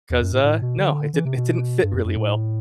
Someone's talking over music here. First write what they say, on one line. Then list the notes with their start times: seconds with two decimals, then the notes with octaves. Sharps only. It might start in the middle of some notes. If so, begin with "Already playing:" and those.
'cause, uh, no, it didn't it didn't fit really well,"
0.10 E2
0.21 F#2
0.33 A2
0.44 A2
0.62 B2
0.78 D3
1.14 E3
1.25 C3
1.37 B2
1.83 G2
1.94 F#2
2.05 F#2
2.17 A2